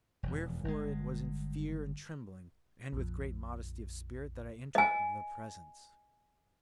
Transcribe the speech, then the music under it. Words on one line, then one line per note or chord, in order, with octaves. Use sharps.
Wherefore it was in fear and trembling, and with great modesty of spirit, that I entered the Presence.
E1 F2
G1 G#3
A#1 F2
D#5 G#5